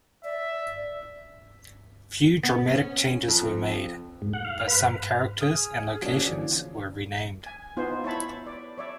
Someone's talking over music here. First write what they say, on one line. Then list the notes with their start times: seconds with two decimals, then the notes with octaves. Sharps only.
Few dramatic changes were made, but some characters and locations were renamed.
0.24 D5 E5
2.43 B3
2.68 C#4
3.28 F2
4.22 G#2
4.33 F#5
4.45 F5
4.68 B4
5.39 G#4 D#6 F6
6.02 F3 A#3 C#4 D4 F#4
6.26 D3 E3
7.46 G#5
7.77 B3 D#4 F4 C5
8.04 E4 C#5 A5 B5
8.47 D5
8.78 C#5 D5 E5